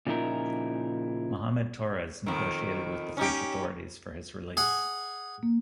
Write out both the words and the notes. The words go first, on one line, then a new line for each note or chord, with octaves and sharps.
Muhammad Torres negotiated with the French authorities for his release.
A#2 C#3 F3 D#4 E4 A#4
F2 D#3
C#4 D#4 G4
G#4 F#5
A#3